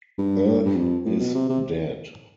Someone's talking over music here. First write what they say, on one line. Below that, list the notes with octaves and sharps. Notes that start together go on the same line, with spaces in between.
Earth is dead.
G2
G2
F2
A2
B2
C3
C3